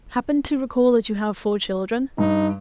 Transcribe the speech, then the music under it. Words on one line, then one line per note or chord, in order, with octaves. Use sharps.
Happened to recall that you have four children.
G2 D#4